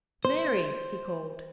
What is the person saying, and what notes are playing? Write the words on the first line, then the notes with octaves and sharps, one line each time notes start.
"Mary!" he called.
C5